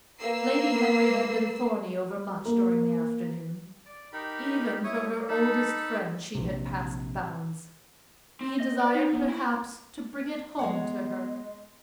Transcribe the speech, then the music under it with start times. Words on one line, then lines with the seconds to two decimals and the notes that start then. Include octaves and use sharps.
Lady Henry had been thorny over much during the afternoon; even for her oldest friend she had passed bounds; he desired perhaps to bring it home to her.
0.21 A#3 B4 E6 C7
2.45 A#3
3.85 D5
4.13 D#4 G4 A#4 B5
4.84 E4 C#5 C#6 D#6
5.15 A#3
5.28 D#4 A4 A5 B5
6.35 A#1 C3
8.41 C4
8.60 D#5
8.81 D5
8.94 D#4
9.13 B3
9.28 E4
10.59 G#3 B3 C#5 D#5 F#5